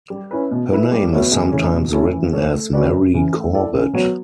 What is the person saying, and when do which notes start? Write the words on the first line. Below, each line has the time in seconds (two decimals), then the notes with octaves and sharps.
Her name is sometimes written as Mary Corbet.
0.10 G3
0.31 C#4 E4 B4
0.51 B2
0.72 A3 E4 B4
0.92 G3
1.11 B3 F#4 C#5 E5
1.31 E2
1.52 C#3 E3 A3 C#4
1.72 B2
1.93 A3 C#4 E4 A4
2.12 E3
2.32 A3 D4 A4 C#5
2.53 A3
2.73 C#4 F#4 B4 D5
2.92 F#2
3.14 C#3 E3
3.34 A3
3.53 E4 A4 D5
3.73 C#3
3.93 F#3 B3 F#4 C#5